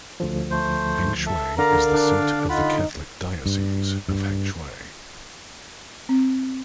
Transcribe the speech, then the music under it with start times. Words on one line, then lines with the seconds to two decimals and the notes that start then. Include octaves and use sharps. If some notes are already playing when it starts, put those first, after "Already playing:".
Hengshui is the seat of the Catholic Diocese of Hengshui.
0.20 D2 D3 F3
0.51 A3 C5
1.26 A4 E5
1.58 D3 A#4 D5 F5 A#5
1.93 D4
2.49 D#4 F4 F#5 B5
3.46 G2
4.09 G2
6.09 C4